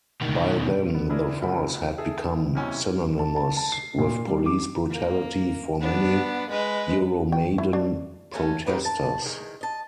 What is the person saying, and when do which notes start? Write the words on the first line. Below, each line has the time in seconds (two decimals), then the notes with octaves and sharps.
By then the force had become synonymous with police brutality for many Euromaidan protesters.
0.21 B2 D#3
0.95 B3
1.09 D4 E4 G#4 A#4
1.41 F1 B1 C#3 F3 B5
1.98 G#4 A4 E5
2.55 B1 E2 C3 C#4 E4 G#5
3.19 A5
3.36 A5
3.57 A5
3.72 C7
3.98 A#2
4.27 G3
4.46 D6
4.90 A#3
5.81 B3 D4
6.50 G#3 B4
7.32 G5
7.58 E4
7.73 D4
8.33 A3 C#4 F#4 A4 G#5
8.66 D#3 A3 D#4 G4 B4
8.85 A5
9.24 E2 D#3 G#3
9.61 D#5 A5